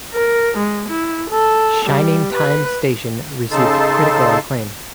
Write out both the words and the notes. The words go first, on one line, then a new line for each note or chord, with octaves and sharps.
"Shining Time Station" received critical acclaim.
A#4
G#3
E4
A4
G3
B4
C#3 D#4 A4 A5 C6